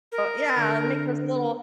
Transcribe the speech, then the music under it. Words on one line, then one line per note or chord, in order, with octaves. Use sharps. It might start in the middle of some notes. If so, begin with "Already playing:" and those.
Yeah, and make those little
A#4
D3